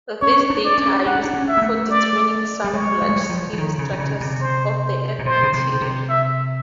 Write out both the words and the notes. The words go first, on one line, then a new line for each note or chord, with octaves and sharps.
These data are used for determining some large scale structures of the Earth interior.
C#4 C#5
D4
D5
C#4
D4 F#5
C#4
D4
C#4
E5
A#3
A3
D5
G3
G#3 C#5
G3
G#3
G3
F3
E3
D#3
C#3
C3
C#3
C3
C5
A#2
B2 C5
C#3
C3
C3
E5